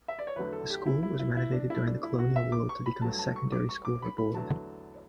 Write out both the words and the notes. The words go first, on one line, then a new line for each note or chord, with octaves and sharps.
The school was renovated during colonial rule to become a secondary school for boys.
E5
D5
C#5
E2 D3 F#3 A3 B4
A4
G4
E4
E4
E4
E4
D4
B2 A3 E4
D4
E4
F#4
E5
D6
C#6
B5
G2 F#3 A3 A5
A5
C#6
D6
C#6
D6
B5
B5
E2 D3 F#3 A3 A5